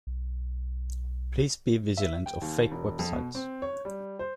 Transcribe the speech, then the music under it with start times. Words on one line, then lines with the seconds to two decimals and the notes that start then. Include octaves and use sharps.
Please be vigilant of fake websites.
0.07 B1
1.97 E5
2.26 G5
2.42 D#2
2.72 E1
2.99 F2
3.13 B2
3.35 C4
3.62 C#5
3.85 G3
4.19 C5